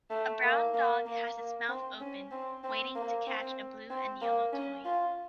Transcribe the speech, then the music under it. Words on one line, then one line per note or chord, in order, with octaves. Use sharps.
A brown dog has its mouth open waiting to catch a blue and yellow toy.
A3
A#3
A#3
A#3
A#3
C4
C#4
C4
C4
A#3
C4
C4
A#3
C#4
F4